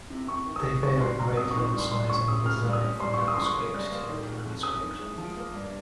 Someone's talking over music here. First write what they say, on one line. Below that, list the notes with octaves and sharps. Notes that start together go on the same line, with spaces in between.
They vary greatly in size and design from manuscript to manuscript.
C3
C3 C#6
D#3
D#6
G#3
D#3 C#6
G3 C6
G#2 A#5
C4 D#6
C#6
D#3
C#6
G3
C6
G3 C6
C#4 C#6
C#3 D#6
C#3 F6
G3
D#6
C#4
G3 C6
A#3 C#6
D#6
C6
C#3 C#6
C#4
G3
A#3
D#3
G#3
F2
C#4 D#6
D#3
G#3
F3
A#3
G2